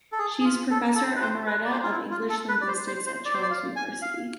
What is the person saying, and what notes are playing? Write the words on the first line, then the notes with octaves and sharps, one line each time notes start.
She is Professor Emerita of English Linguistics at Charles University.
A4
G#4
G#4
F4
A4
A4
B4
C5
B4
D5
C5
F4
E4
F4
A4
B4
D5
C5
C5
C5
D5
C5
D5
F5
G#5
F5